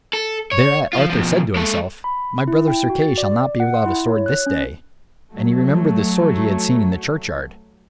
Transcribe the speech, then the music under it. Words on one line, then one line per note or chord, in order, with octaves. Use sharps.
Thereat Arthur said to himself, "My brother Sir Kay shall not be without a sword this day." And he remembered the sword he had seen in the churchyard.
A4
C#5
F3 F4
B2 F3
G#3 A4
B5
E4
G5
F#4
A6
D5
F#5
C6
E4
C#5
F#6
C#4
F#3 A3